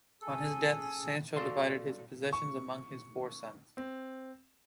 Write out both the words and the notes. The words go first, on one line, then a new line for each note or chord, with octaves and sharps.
On his death, Sancho divided his possessions among his four sons.
C#4 G#4 A4 G#5
F#4 A4 A#4 D5 F5 C6
C#6
C4